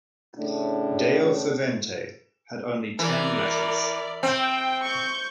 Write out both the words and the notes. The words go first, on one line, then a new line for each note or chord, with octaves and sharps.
"Deo Favente" had only ten letters.
A2 C#3 A3 D4
E3 A#4 D5
C4 G5
C#6 G6